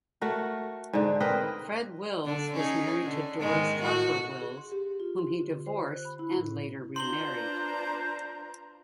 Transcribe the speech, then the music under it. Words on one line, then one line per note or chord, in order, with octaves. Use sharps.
Fred Wills was married to Doris Harper-Wills whom he divorced and later remarried.
A3 F#4 A#4
G#2 D3
C4 A#4 B4 D#5
D3
C#4 D#4 G#4
D3
G#2 D#3 G#3
A2 F#4
G#4
C6
G4
F4
C6
D3
C5
F#6
B5
E4
A2
D4 F4 B4 C5 A#5 C6 F#7 G7